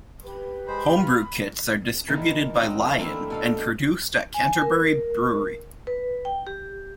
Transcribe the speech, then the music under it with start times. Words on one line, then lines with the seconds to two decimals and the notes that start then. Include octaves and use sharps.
Home-brew kits are distributed by Lion and produced at Canterbury Brewery.
0.24 G4 B4
0.68 G#3 C5 B5
0.97 F4 F6
2.08 A#2 D#3 E3 A#3
2.55 C4 C#4 D#4 F#4 D#5 F5
2.80 F2 F3
2.98 E3 A3 A#3 C4 D4 E4
3.30 B2 A4 F5
4.34 G#5
4.62 A#4
5.87 B4
6.25 G5
6.47 G4